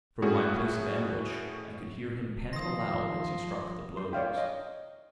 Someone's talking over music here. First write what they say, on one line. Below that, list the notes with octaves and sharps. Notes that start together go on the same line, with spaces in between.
From my place of ambush, I could hear him pant aloud as he struck the blows.
A2 A3 C#4 F#4 G#4
D#3 F3 C6 D#6 A#6
C6
C#5 D5 F5 G5
D#5